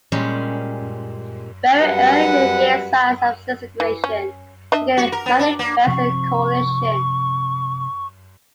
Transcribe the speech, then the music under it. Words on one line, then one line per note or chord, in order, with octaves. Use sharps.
Very early in the year signs of disintegration became manifest in the coalition.
A#2 G3 G#3 C#4
F#2 G3 B4 F#5
E3
C#4
D4 D#5 E5
F#4
A#4
B3
D4
A#3
C3 F3 C4 C#6